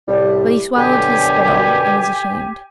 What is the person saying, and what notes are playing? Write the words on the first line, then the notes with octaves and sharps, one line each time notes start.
But he swallowed his spittle, and was ashamed.
C2 A2 G3
F#2 B2 D3 G4 G#5